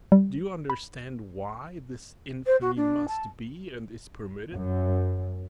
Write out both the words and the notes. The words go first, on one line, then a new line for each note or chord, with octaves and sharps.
Do you understand why this infamy must be and is permitted?
G3
B5
C5
F#4
D4
A5
F#2